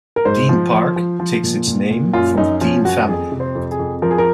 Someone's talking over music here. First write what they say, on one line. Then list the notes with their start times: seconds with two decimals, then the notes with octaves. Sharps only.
Dean Park takes its name from the Dean family.
0.16 A#4
0.25 G#2 C5
0.49 F3
0.73 F3
0.96 F3
1.20 F3
1.44 A#2
1.67 A#2
1.91 A#2
2.13 F#2 F4
2.37 F#2 D#4
2.61 F3 C#4
2.85 F#2 F#4
3.08 F2 G#4
3.32 C3
3.40 C5
3.55 F2
3.71 G#4
3.79 F2
4.02 F3 A#4
4.11 G#4
4.18 A#4